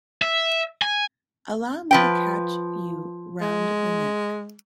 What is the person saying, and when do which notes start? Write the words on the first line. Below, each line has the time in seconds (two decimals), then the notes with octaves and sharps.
Allow me to catch you round the neck.
0.22 E5
0.82 G#5
1.91 F3 B4 G5
3.41 G#3